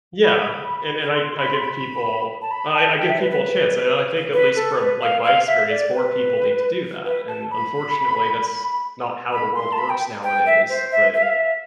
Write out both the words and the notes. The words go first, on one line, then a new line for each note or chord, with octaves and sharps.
Yeah, and then I I give people I I I give people a chance, and I I think at least from, like, my experience, more people need to do that, and, unfortunately, that's not how the world works nowadays, but
B5
C6
B5
C6
B5
A5
B5
A5
G5
E5
B4
B4
B4
A4
B4
F5
F5
E5
D5
B4
B4
A5
B5
B5
C6
A5
B5
G5
G5
E5
C5
E5
E5
F5
E5